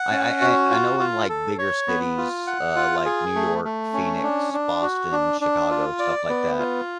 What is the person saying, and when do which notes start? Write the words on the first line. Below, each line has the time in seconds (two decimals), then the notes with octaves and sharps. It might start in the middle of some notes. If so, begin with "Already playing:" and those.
I I I I know in, like, bigger cities, uh, like New York, Phoenix, Boston, Chicago, stuff like that,
Already playing: F#5
0.11 C#4
0.41 F#4
0.70 F4
1.00 F4
1.29 A4
1.58 C#5
1.88 B3
2.17 F4
2.47 F#5
2.76 F4
3.05 G#4
3.35 A3
3.65 A3
3.94 C#4
4.23 D4
4.53 D4
4.82 F#4
5.12 D4
5.41 D4
5.71 F4
5.99 D5
6.29 B3
6.59 F4